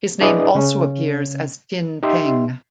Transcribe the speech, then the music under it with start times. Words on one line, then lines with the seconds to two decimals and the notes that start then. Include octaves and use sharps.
His name also appears as Tin Peng.
0.21 D4 E4 G#4 B4 D5 D#5
0.55 C#3 C#4
2.03 D#4 G4 E5 C6